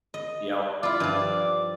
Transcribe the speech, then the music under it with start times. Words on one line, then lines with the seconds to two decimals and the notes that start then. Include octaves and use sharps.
you know,
0.14 D#5
0.83 E4 F4 D5
1.00 G2 F3